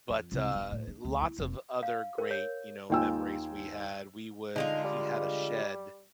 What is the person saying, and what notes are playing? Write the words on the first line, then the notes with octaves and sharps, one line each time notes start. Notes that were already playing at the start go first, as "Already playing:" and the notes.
but, uh, lots of other great, you know, memories we had, we would he had a shed
F2
C2
E1
A2
D4
D2
E4
F1
F5
A#4
C#5
D#2 D#4 F4 G5 G#5 E6
D3 G#3 D#4 F4
G3